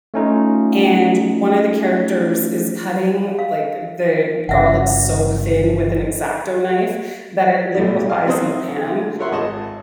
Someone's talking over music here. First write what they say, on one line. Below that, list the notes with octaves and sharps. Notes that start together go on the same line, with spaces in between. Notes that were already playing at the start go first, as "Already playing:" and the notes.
and one of the characters is cutting like the garlic so thin with an X-Acto knife that it liquefies in the pan,
A3 C#4 D#4 F4
F5
G1 C#3 E5 F#5
B1 A2 D#4
F5
F#3 C4 F#4 C5 D#6
D3
F4 A#4 C#5 E5 F#5 C6
G#1 G#4 D#5 A5